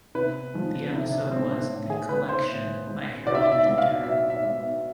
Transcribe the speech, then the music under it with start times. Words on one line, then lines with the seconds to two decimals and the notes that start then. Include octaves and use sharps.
The episode was "The Collection" by Harold Pinter.
0.15 C3 B4
0.54 F3 G#3
0.92 C3 E4
1.12 D4
1.32 F3 G#3 C4
1.51 D4
1.70 A2
1.90 G#4
2.09 G#3 B4
2.29 C5
2.48 A2
2.87 G#3
3.26 B2 D5
3.35 E5
3.43 D5
3.52 E5
3.65 G#3 E5
3.78 F5
4.03 B2 E5
4.30 E5
4.43 G#3
4.56 E5